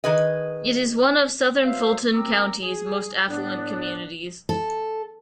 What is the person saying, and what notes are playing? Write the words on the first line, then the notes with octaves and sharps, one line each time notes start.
It is one of southern Fulton County's most affluent communities.
D#3 G#4 B4 D#5
F#3 G#3 B4 C5 E5 F5
F#2 C4 A#4 A#5 D6 E6
G#4
A2 B3 D4
A4